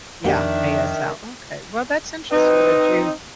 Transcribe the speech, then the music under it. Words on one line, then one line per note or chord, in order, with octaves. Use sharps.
Yeah, ASL, okay. Well, that's interesting that you
F2 D#3 A#3 D4 F#4 G4 E5
C4 D#4 B4